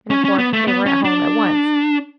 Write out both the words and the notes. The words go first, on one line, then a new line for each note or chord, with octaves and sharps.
And, of course, they were at home at once.
C#4
C#4
B3
A3
B3
C#4
D4